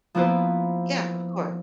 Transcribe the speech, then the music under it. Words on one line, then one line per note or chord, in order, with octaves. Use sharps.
Yeah, of course.
F3 A#3 B3 E4 B4 C5